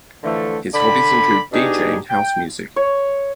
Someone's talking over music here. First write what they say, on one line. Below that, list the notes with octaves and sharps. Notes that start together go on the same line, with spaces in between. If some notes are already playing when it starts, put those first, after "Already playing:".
His hobbies include deejaying house music.
D3 E3 F3 A3
D3 D5 B5
B2 D4 D#4 G4 G#4
G5
C#5